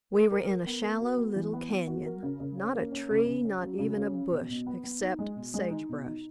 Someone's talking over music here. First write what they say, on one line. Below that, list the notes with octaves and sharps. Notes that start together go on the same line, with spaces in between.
We were in a shallow little canyon,--not a tree, not even a bush except sage-brush.
A#4
A#4
A#4
B3
A#4
F#4
B3
E3
B3
B3
F#4
A#4
C#3
C#3
C#4
A#3
C#4
C#3
C#3
C#4
F#3
C#3
C#4
C#4
B2
B2
B3
B3
D#4
G#3
B2
G#3
D#4
B2
D#4